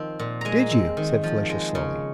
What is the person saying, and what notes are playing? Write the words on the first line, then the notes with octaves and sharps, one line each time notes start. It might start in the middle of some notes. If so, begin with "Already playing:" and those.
"Did you?" said Felicia slowly.
Already playing: D#3 F3 C4
A#2
G#3 G#5 A#5
C4
D#3
F3
G#3
C#3